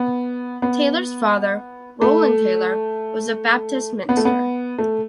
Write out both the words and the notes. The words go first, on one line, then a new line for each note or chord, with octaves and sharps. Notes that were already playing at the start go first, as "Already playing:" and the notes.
Taylor's father, Roland Taylor, was a Baptist minister.
Already playing: B3
B3
A3
B3
A3
B3
A3